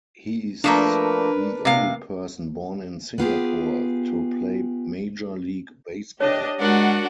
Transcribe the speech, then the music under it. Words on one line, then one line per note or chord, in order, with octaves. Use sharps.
He is the only person born in Singapore to play Major League Baseball.
F3 A3 A#3 D4 A#4 B4
C3 F5
B3 F4 G4 G#4
D4 G4 C#5 D#5
G#3 D4 F#4 A#4 F#5